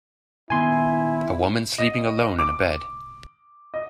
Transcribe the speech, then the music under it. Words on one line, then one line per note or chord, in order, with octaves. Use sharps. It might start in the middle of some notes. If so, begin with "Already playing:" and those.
A woman sleeping alone in a bed.
A#2 D#3 B3 E4 G#5 C6
D#5
D6
D#5